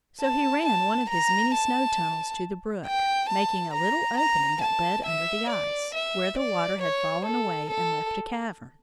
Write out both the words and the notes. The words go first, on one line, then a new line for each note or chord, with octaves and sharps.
So he ran one of his many snow tunnels to the brook, making a little opening that led under the ice, where the water had fallen away and left a cavern.
A5
A5
A#5
A5
G5
A5
A#5
A#5
A5
E5
D5
E5
D5
C#5
A4
A4